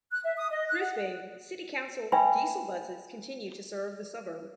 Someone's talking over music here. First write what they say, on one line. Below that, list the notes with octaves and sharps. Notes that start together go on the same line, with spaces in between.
Brisbane City Council diesel buses continue to serve the suburb.
F#6
E5
D#6
D#5
F#6
F#5
B4 E5 G5 G#5 B5